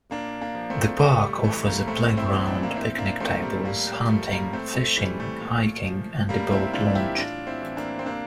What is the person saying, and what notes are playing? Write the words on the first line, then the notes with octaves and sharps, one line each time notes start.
The park offers a playground, picnic tables, hunting, fishing, hiking and a boat launch.
A#2 A#3 D4
A#3 D4
F3
A3 C4
A2 A3
G3
E3 A3
G3 A#3
A2 A3 C4
C4 E4
E3
D4
E4
A#3 D4
A#2 C4 E4
A#3 D4
F3 A3 C4
G3 A#3
A2 G3 A#3
G3
F3 A3
G3 A#3
A2 A3 C4
A3
E3 G3
A3
A#2
F3
A2 G3 A#3
C4 E4
E3 D4 F4
E4 G4
A2 D4 F4
C4 E4
E3
A#3 D4
C4
C3 A#3 D4